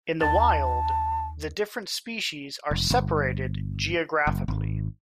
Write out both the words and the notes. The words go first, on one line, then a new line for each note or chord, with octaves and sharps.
In the wild, the different species are separated geographically.
D#2 A5 A6
F1
G1
F#1
G#1